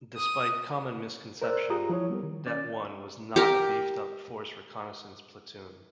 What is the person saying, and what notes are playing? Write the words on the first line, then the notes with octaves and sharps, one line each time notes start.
Despite common misconception, Det One was not a beefed up Force Reconnaissance platoon.
D#6
A#4 C5 D5 E6 F#6
F4 G4 G#4 A#5 D#6
F3 E4 C#5
G3 B3 G4 A#4
D#3
C#4 D5 D6 A6
G4 A#4